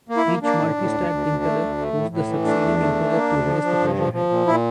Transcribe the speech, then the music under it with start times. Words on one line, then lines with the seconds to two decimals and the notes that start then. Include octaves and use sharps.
Each multi stacked impeller boosts the succeeding impeller to raise the pressure head.
0.09 A#3
0.17 E4
0.26 A#3
0.42 A#3 D4
0.60 A2
0.76 A2
0.93 D2
1.10 D2
1.27 D2
1.43 A3
1.61 D2
1.78 A3
1.95 A2
2.11 A2
2.27 E3
2.45 A3 D4
2.61 E2
2.79 A3
2.95 E3
3.12 A#3
3.29 D2
3.46 F3
3.63 F3
3.80 G2
3.97 F3
4.13 F3
4.30 A#2
4.47 A#2 E4